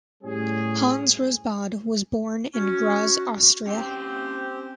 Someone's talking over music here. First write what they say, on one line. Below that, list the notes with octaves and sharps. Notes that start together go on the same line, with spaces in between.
Hans Rosbaud was born in Graz, Austria.
A2 G3 C#4 G#4
C#4 F#4
C4 C#4 G4 C5 G5